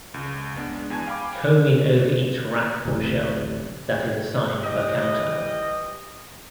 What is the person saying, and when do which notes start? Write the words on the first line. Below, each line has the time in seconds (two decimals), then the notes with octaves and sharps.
Combing over each rack or shelf, that is assigned per counter.
0.14 C#2
0.56 G#3 B3 D4
0.90 E2 G#5 A5 G#6
1.07 F5 G5 G#5 B5 D6
2.85 D1 A1 A2 C3
4.62 E3 G3 D#5